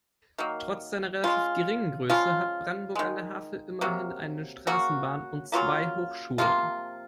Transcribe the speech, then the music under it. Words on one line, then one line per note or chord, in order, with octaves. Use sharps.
Trotz seiner relativ geringen Größe hat Brandenburg an der Havel immerhin eine Straßenbahn und zwei Hochschulen.
D#3 F#3 A#3
C#3 G#3 F4
C#3 F3 G#3 F4
D#3 G#3
C3 F#3 A#3
C#3 F#3 A#3 F#4
C#3 F#3 A#3 F4
C3 F3 A#3 F4